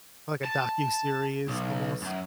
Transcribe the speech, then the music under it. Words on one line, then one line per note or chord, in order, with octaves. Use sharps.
Like, a docuseries almost?
A5
B1
F#2